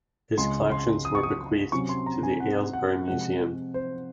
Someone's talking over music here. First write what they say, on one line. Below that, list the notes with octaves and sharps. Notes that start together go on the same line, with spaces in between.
His collections were bequeathed to the Aylesbury Museum.
C#2 C#3 G#3 C6
C6
D#6
C#6
D#6
C3 F#3 C#4 C#6
C6
A#5
G#5
F#5
F#5
C3 F3 G#3 F#5
C5